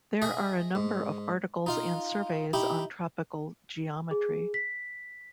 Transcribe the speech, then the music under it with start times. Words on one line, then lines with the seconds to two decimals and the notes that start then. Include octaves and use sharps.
There are a number of articles and surveys on tropical geometry.
0.22 G#4 D#5 E5
0.75 G#2
1.66 D#4 F4 F5
2.53 D#4 E4 G4
4.11 G#4
4.54 B6